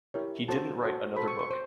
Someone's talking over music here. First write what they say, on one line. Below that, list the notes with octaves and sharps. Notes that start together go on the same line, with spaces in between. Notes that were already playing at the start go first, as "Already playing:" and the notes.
He didn't write another book.
E4 G4 A#4 C#5
F#4 A4 C5 A5
F#4 A4 C5
F#4 A4 C5 B5
C#6
C#6
C5